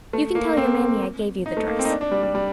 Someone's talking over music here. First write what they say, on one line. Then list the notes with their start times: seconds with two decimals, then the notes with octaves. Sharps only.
You can tell your mammy I gave you the dress.
0.13 A3
0.35 A#3
0.57 C4
1.46 D#4
1.57 A3
1.67 A#3
1.79 C4
1.85 D#4
1.90 D4
2.01 D4
2.12 G3
2.23 G3
2.35 G3